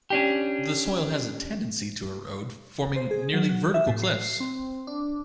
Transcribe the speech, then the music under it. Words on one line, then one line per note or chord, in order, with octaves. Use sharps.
The soil has a tendency to erode, forming nearly vertical cliffs.
C#4 D4 G4
C5
G#4
F#3
F#4
E5
A2
C7
C4
D4